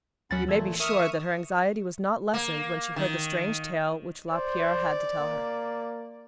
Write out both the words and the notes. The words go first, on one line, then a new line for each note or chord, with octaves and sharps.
You may be sure that her anxiety was not lessened when she heard the strange tale which Lapierre had to tell her.
D#2 F#3 C#4 F#5 B5 A6
A#2 E3 A3 E6 G#6
A#4 E5 C#6 D#6 F6
A#3
D#3
C5 D5
A#3